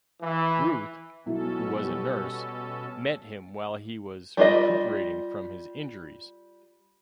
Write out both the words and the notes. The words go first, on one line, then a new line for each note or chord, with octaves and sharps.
Ruth, who was a nurse, met him while he was recuperating from his injuries.
E3
B1 B2 F#3 C#4 E4 A4
G3
G3 F4 D#5